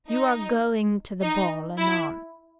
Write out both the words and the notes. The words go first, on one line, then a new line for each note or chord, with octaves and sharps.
You are going to the ball anon. . . .
D#4
D#4
E4